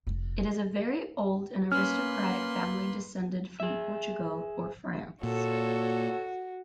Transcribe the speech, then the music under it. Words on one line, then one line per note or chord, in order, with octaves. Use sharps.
It is a very old and aristocratic family descended from Portugal or France.
F1
A#3 C#4 B4 C6 F6
G#4 E5
A#2 F#4 A4 C#5